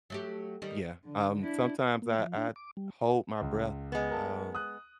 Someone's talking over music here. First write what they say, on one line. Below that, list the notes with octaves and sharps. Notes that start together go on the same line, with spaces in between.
Yeah, um, sometimes I I hold my breath, um,
F#3 A3 G4
D#3 G3
D3
D4 E4
A#3
F3
D4
D6
G3
C#2
G#3 B3
A#4 A5
D#6 F#6